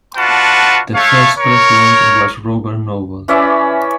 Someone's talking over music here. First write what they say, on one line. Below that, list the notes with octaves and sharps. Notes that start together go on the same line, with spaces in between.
The first President was Robert Noble.
D4 F4 F#4 B4 F#5 A5
A3 C#5 F5
A#4 C#5
E3 C#4 D5 E5